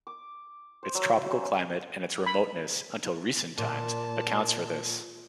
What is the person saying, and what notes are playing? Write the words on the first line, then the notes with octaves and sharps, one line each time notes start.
Its tropical climate and its remoteness until recent times accounts for this.
D6
C5
F#3 E5
F#3 C#4
B5
A#2 A5